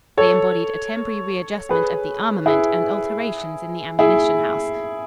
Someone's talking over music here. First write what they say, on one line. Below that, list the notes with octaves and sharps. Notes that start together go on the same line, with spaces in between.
They embodied a temporary readjustment of the armament and alterations in the ammunition house.
A4 C#5
G#4 B4
E4 G#4
E4 G#4